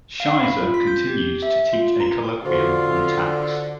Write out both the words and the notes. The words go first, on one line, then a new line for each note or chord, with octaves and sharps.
Schizer continues to teach a colloquium on tax.
F5
B5
F4
B6
G6
G4
E5
F4
A#5
D3 F4 F#4 C5 C#6